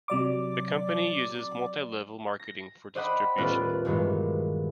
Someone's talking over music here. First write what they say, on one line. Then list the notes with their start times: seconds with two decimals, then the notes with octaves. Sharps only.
The company uses multi-level marketing for distribution.
0.08 C3 F#3 D5 D6
2.39 A#6
2.95 C5 D5 D#5 F#5 G5 B5
3.38 D#1 A2 B3 F4 D5 F#6
3.85 G2 A#2 D#3 E3 F#3 G#3